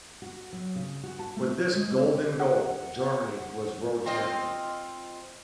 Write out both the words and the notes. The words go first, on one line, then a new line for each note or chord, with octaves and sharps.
With this Golden Goal Germany was world champion.
F#4
F#3
C#3
F#4
A5
A3
F#4
G#3
C4
F#5
C4 F4 D#5